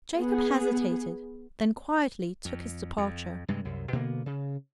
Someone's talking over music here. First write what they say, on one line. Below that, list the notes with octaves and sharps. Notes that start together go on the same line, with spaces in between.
Jacob hesitated, then quietly took his departure.
B3 G#4
F2
F2
G2 C3 G#3
C2 F#2
B2 D3 A#3 B3
C#3